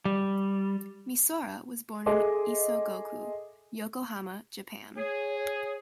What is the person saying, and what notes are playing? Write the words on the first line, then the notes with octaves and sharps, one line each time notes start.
Misora was born in Isogo-ku, Yokohama, Japan.
G3
G#4 A4 D#5 E5 C6 D6
G#4 C#5